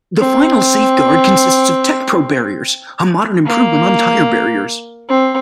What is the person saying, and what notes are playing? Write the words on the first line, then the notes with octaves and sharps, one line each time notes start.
The final safeguard consists of Tecpro barriers, a modern improvement on tyre barriers.
C4
A#3
C4